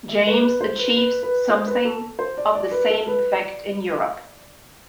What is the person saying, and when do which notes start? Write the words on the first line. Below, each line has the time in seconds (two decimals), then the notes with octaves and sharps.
James achieves something of the same effect in "Europe".
0.09 E5
0.26 B4
0.43 B4
0.61 C5
0.78 B4
0.96 B4
1.23 B4
1.49 C5
1.67 B4
1.85 A4
2.19 C5
2.38 D5
2.55 D5
2.71 B4
2.89 A4
3.07 B4
3.34 D5